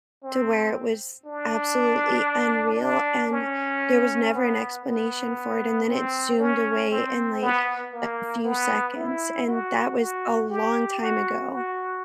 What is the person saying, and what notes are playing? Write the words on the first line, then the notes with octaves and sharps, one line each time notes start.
to where it was absolutely unreal and there was never an explanation for it, and then it zoomed away in, like, a few seconds. And that was a long time ago.
C4
D4
D4
C#4
B3
B3
C4
C#4
C4
B3
A#3
B3
E4
F#4
F#4
G4
F#4
F#4